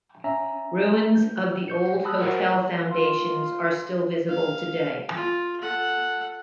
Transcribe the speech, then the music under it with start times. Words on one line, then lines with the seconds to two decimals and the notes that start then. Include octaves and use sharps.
Ruins of the old hotel foundations are still visible today.
0.24 C#4 E5 A#5
1.15 G6
1.68 C#6 G6 C#7
2.05 A5 B5 D#6 E6 F#6
2.21 F#4 A#4 C5 F#5
2.90 F4
4.28 F5
5.15 F4
5.61 A4 F#5